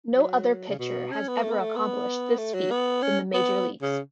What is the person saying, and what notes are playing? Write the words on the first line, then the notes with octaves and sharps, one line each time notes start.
No other pitcher has ever accomplished this feat in the major leagues.
F#3
C#3
B2
C#4
B3
A3
B3
A3
B3
A3
F#3
B3
C#4
B3
C#3